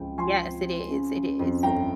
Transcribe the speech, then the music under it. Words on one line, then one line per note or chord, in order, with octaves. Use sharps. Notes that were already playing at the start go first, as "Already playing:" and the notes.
Yes, it is, it is.
Already playing: C#2 F3 C4 G5
F3 G#5 C6
C4
C4
C#3
C#3
F2
G1 G5 A#5